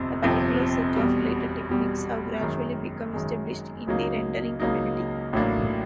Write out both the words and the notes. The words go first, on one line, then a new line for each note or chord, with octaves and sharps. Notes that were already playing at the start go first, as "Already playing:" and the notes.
A particular set of related techniques have gradually become established in the rendering community.
Already playing: G1 F2 C3
G1 F2 C3 F3
E2 B2 G3
E2 B2 G3
F#2 D#3 G#3
F#2 D#3 G#3
C#2 C#3 F#3 A#3 D#4
C#2 C#3 F#3 A#3 D#4
A1 A2 F#3 A#3 D4